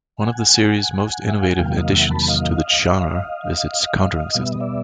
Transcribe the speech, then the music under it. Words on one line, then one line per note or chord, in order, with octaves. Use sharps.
One of the series' most innovative additions to the genre is its countering system.
F#5 G#5
E5
F5
F#5
E2 C3 D#3 F#3 A#3 F5 G5
D#5 F5
E5 F#5
A5 B5
D#5 F5
B2 G3 B3 F5
E5
D#5
D5 E5